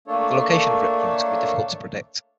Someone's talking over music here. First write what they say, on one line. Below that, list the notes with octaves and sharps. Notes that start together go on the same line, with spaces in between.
The location of rip currents can be difficult to predict.
A3 A#3 D4 A4 C#5